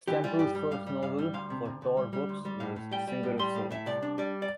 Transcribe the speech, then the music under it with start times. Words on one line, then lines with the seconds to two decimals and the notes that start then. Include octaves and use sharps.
Stemple's first novel, for Tor Books, was "Singer of Souls".
0.08 E3 G4
0.24 G3 F4
0.39 G2 G4
0.55 G3
0.71 G2 F5
0.86 G3
1.02 G2 F5
1.18 G3
1.34 D2 F5
1.50 C3
1.65 D2
1.82 D2
1.97 G3
2.13 G3
2.29 D2
2.45 G3
2.60 A2 F5
2.76 A2
2.92 G3 G5
3.07 G3
3.23 A2
3.39 G3 C6
3.55 A2 F5
3.71 A2 E5
3.86 C2 D5
4.02 D4
4.18 G3 D5
4.42 D5